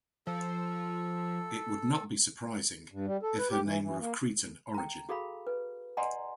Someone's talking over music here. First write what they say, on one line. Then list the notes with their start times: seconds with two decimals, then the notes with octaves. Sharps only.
It would not be surprising if her name were of Cretan origin.
0.27 F3 A4
2.92 G2
3.07 G3
3.23 A4
3.38 B4
3.51 G4
3.66 E3
3.82 E3
4.01 A#3
4.74 G5 A#5
5.09 F#4 G#4 A4 F5 B5
5.47 B4
5.97 D5 D#5 F#5 G#5 A#5 C6